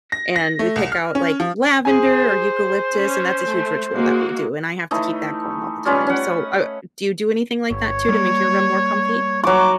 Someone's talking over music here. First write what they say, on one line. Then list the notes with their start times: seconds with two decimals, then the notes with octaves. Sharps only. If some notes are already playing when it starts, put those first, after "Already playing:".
and we pick out like lavender or eucalyptus, and that's a huge ritual that we do and I have to keep that going all the time. So, uh do you do anything like that too to make your room more comfy?
0.12 A#6
0.36 A#6
0.59 A3
0.76 C2
0.92 F6
1.15 C#4
1.40 F3
1.85 G#4 C5 G#5
2.93 C#4
3.46 A3
3.93 G#3 A#3 F#4
4.91 E3 A3 D#4 B5
5.85 G3 C#4 F4 B4
6.07 C#4 F#5
7.71 G1 C#5
8.09 G3 A#3
9.44 F#3 C#6 D6